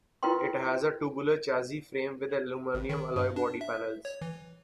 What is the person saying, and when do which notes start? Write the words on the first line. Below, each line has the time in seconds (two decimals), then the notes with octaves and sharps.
It has a tubular chassis frame with aluminium alloy body panels.
0.23 E4 F4 A#4 B4 G5 C6
2.74 G#1
2.89 D#3
3.16 G2
3.36 D4
3.61 E5
4.05 C#5
4.21 E3